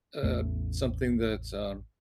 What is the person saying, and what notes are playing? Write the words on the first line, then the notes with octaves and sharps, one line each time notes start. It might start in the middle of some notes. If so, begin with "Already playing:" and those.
uh, something that's, um
A1 E2 A3